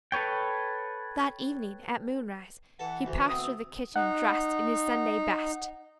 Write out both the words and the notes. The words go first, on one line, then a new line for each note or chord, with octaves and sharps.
That evening at moonrise he passed through the kitchen dressed in his Sunday best.
A4 B4 C#5 G5
E3 A4 F#5
D2
B3 C4 D#6
D#4 F#5